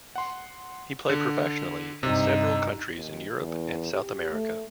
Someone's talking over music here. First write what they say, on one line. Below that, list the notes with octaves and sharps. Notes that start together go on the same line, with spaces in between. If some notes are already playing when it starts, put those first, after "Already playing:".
He played professionally in several countries in Europe and South America.
F#5 C6
D3
G2 C3 D#4
D#2
E2
G4
A3